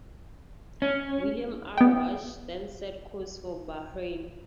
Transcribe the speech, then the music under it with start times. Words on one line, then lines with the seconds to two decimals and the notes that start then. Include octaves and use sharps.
"William R. Rush" then set course for Bahrain.
0.82 C#4
1.78 B3 G5